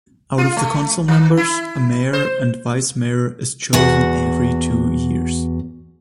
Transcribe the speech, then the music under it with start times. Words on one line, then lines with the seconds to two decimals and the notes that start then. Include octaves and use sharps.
Out of the council members, a mayor and vice-mayor is chosen every two years.
0.38 F4
0.57 A3
1.08 D#3
1.37 E4
2.13 C5
3.73 E2 F#4 F#5